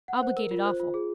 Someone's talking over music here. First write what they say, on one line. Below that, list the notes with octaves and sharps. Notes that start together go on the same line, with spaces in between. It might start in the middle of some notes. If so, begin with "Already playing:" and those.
Obligated awful.
F#5
C5
A#4
F4
C5
F4
G#4